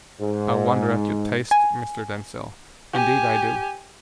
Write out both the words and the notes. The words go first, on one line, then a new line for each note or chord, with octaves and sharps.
I wonder at your taste, Mr. Denzil, indeed I do.
G#2
G#5
G4 G#5